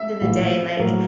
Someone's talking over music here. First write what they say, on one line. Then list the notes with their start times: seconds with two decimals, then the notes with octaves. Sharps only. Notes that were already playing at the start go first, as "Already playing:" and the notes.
of the day, like,
Already playing: E5
0.21 A#1 A2 E3
0.79 A2 F#3 A#3